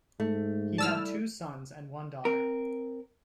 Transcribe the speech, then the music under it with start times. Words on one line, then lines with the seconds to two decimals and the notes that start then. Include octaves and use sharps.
He had two sons and one daughter.
0.20 G#2 A3
0.78 G3 E4 D5 A5 E6 F6
2.25 C4 A#4